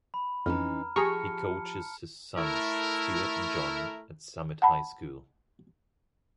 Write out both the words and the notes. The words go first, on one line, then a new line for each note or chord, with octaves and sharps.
He coaches his sons, Stuart and John, at Summit High School.
B5
F2 E3 C#4 D#4 A#5 F6
F3 G4 G#4 A5 A#5 C#6 F6 C#7
A3 E4 A#4
F#5 A5 B5